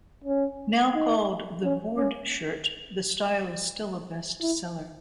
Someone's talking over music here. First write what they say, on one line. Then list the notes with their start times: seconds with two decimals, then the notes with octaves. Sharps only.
Now called the "board shirt," the style is still a bestseller.
0.24 C#4
0.94 D#4
1.63 C#4
1.97 C#4
4.41 E4